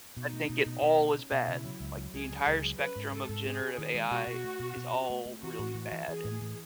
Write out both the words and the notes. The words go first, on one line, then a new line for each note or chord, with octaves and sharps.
I think it all is bad, like, the entire spectrum of generative AI is all really bad, and,
B2 D#4
A3
B2
B2
B2
A3
C#4
B2
C#3 E4
F#3
C#2
F#3
C#2 G#4
F#3
C#2
F#3
C#4 B4
G#2
G#3 A4
G#2
C#4 G#4
C#4
D#3
G#3
B2 F#4
B2
A3
B2
B2
C#4
A3
A3
E3 F#4
A2
E3
E3
E3 G#4
A2
E3